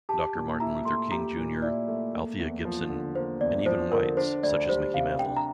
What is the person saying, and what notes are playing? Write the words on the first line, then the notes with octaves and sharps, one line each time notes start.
Doctor Martin Luther King, Junior Althea Gibson, and even whites such as Mickey Mantle.
G4 A5
A#2
E4 A#5
A3 C6
G4 A#5
A#2
E4 D5
A3
A#3
E2
F3
D3
A#3 C5
E2 D5
F3 C5
D3 A#4
D4 C5
D2 D5
G3 C5
C3 F5
D4 G5
A#5